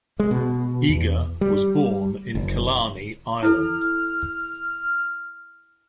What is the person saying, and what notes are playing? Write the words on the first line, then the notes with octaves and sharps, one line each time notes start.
Eagar was born in Killarney, Ireland.
G#3
B2
E2
G3
F#1
E4 A4 F6